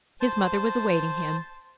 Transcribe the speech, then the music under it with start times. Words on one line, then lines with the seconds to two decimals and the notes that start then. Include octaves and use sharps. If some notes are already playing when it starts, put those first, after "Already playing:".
His mother was awaiting him.
0.21 C5 A5